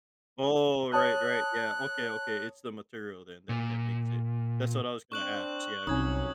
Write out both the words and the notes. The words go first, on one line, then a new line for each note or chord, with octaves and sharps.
Oh, right, right yeah, okay, okay, it's the material, then, that that makes it that's what I was gonna ask see how big was
C#5 A5 D#6 F#6
A#2
C4 D4 C#6 F#6 F#7
C2 F2 F#3 C4 C#4 D#4 D#6 G#6